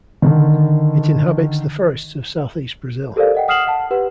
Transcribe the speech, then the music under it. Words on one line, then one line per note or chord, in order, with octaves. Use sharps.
It inhabits the forests of south-east Brazil.
D3 D#3
G4 A4 A#4 C5 D5 F5
D#5 F#5 G5
F#5 D#6 F6 C7 E7 F#7
F#5 A5
G4 B4 F#5